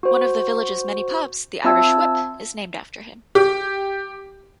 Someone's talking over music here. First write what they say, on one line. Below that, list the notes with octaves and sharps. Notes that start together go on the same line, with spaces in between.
One of the village's many pubs, "The Irish Whip", is named after him.
F#4 C5
C4 F4 E5 A5 E6 G#6
G4